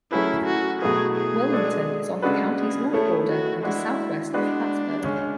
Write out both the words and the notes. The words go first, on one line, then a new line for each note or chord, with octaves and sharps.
Wilmington is on the county's north border and is southwest of Plattsburgh.
F#3 A3 C#4 E4 G#4 B4
F#4
B2 F#3 A3 E4 G#4 B4
G#4
G#3 D4 A4 D5
C#3 G#3 D4 F#4 A4 B4
G#4
A3 E4 G#4 A4 C#5
F#4
G#3 D4 E4 F#4
G#3 B3 D4 F#4 B4 D5
C#3 G#3 C#4